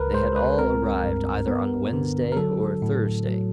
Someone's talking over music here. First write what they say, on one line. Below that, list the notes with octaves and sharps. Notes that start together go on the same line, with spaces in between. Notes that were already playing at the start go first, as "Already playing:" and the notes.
They had all arrived either on Wednesday or Thursday.
Already playing: C#2 A#4 B4
G#3 C5
B4
C4 A#4
G2
B3
D3
A#4
F#3 A4
A2
F#3